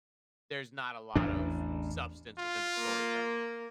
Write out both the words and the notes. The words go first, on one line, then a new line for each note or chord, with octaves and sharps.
there's not a lot of substance within the storytelling of it.
A1 E2 D4
F4
A#3